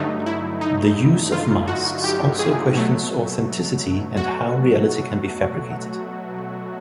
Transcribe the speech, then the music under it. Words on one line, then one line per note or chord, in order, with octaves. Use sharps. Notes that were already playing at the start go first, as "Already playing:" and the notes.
The use of masks also questions authenticity and how reality can be fabricated.
Already playing: G2 D3 F#3 A3 D#4
E4
D#4
F4
F#4
G4
G#4
B2 F#3 A3
F#4